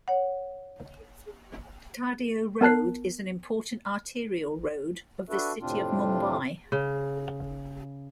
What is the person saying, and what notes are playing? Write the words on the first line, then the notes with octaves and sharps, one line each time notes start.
Tardeo Road is an important arterial road of the city of Mumbai.
C#5 F#5
B3 A#4 A5 F#6 C7
D4 F#4 A4 B4 E5
F2 A2 C3 C4 D4 F4
C#3